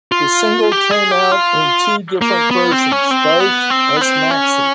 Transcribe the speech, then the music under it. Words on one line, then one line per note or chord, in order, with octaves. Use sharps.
The single came out in two different versions, both as maxi.
F4
G4
G#4
G4
F4
A#3
B3
C4
C#4
C4
B3
C4
B3
C4
C#4